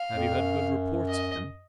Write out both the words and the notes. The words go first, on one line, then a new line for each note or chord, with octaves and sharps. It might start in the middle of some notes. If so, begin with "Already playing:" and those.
"Have you had good reports of him?"
Already playing: F5
F2
F2
F#2
D#5